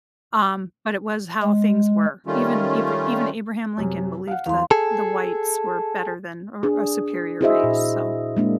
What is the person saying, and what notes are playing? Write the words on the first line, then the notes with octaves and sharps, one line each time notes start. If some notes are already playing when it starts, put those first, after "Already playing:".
Um, but it was how things were. Even eve even Abraham Lincoln believed that the whites were better than or a superior race, so.
G#3
D#3 G3 A3 C#4 F4
F#2 C3
F5 F#5
E2 F5 C6
G#4 A4
D4 G#4
E4 F#4 G#4 C5 D#5 E5
A#2
G#3 A#3 D4